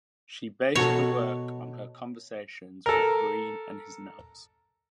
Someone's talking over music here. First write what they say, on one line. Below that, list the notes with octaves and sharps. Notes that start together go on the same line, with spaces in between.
She based the work on her conversations with Breen and his notes.
B2 F#4 A4 C#5
A4 A#4